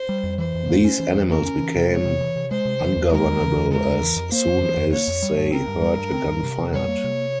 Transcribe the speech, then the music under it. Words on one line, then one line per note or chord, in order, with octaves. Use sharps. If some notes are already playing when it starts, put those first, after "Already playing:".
These animals became ungovernable as soon as they heard a gun fired.
Already playing: C5
G3
F2
E3 C5
F2
A#3
C#4
E3
F2
A#3 A#4
C#4
E3
C3
G#3 C#5
C3
E3
C3
G#3 C5
C3
E3
E2
G#3 A#4
E2
E3
E2
G#3 A#4
E2
E3
F2
A#3 C5
F2
E3
F2
A#3 C#5
F2
G3
G2
C4 A#4
G2
G3
G2
C4
G2
C3
F2
G3 C#5
A#3
C3